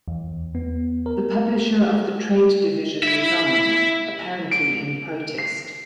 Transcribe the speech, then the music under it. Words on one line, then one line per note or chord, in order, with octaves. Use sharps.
The publisher of the trade division resigned, apparently in protest.
E2
B3
A#4
E4 E5
D7
C7